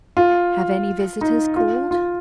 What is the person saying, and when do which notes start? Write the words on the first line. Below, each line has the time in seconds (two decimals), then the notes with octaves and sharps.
"Have any visitors called?"
0.17 F4
1.21 D#4
1.56 F4
1.91 F4